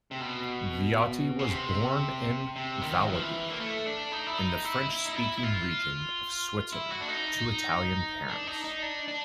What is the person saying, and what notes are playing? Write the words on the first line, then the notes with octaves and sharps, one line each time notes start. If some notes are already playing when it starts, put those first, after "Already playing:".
Viotti was born in Vallorbe, in the French-speaking region of Switzerland, to Italian parents.
C3
B2
C#3
C3
C3
D#3
E3
F3
E3
A#3
A3
D4
D#4
E4
D#4
E4
E4
D#4
E4
E4
F4
E4
F#4
D4
D#4
D4
D#4
D#4
D4
D4